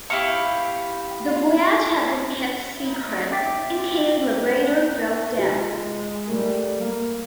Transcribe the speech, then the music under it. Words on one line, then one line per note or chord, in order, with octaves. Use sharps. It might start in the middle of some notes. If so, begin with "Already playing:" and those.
The voyage had been kept secret, in case "Labrador" broke down.
E4 G4 F5 C#6
C#4 E5 G5 D6 A6 B6
C3 F4
G#3
G3 A3 A#4
A#3